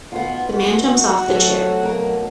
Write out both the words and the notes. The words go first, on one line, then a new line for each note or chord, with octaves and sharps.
The man jumps off the chair.
B2 D#3 B3 F4
F#4
C3 F#3 A3 A4 C#5
B2 A#3 D#4 A#4 C#6